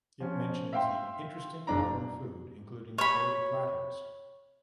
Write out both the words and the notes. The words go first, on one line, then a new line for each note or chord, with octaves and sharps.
It mentions the "interesting modern food including shared platters".
F3 C#4
E5 F5 G5 C6
F#1 D4 A#5
C#5 B5